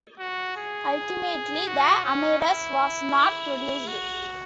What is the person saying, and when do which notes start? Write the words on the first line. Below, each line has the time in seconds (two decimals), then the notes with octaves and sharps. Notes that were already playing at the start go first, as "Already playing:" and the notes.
Ultimately the "Amadeus" was not produced.
0.19 F#4
0.57 G#4
1.67 F#4
2.04 C#4
2.40 E4
3.88 F#4